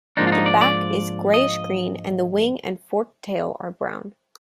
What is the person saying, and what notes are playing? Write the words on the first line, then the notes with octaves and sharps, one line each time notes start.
The back is grayish-green, and the wing and forked tail are brown.
G#2 F3 A#3 D4 D#4
F4
D#4
D5
D5
D#5